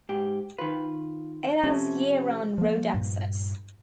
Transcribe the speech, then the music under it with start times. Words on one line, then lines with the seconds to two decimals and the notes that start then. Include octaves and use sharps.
It has year-round road access.
0.09 G#2 G4
0.58 D#3 F4 B4
1.63 C3 F3 A3 C4 C#4
2.58 F3 A#3
2.94 G2 A#2